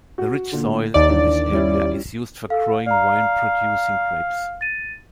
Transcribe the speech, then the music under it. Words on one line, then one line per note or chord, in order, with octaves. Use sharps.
The rich soil in this area is used for growing wine-producing grapes.
F#4
A#2 D3
D#2 D5 D#5
E3 D4
G3 C#4 E4
A4 F5
D5 F5 A#5
A6 D#7